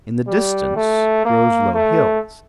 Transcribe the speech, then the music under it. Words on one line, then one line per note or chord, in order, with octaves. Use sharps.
In the distance rose low hills.
G3
A3
A#3
A3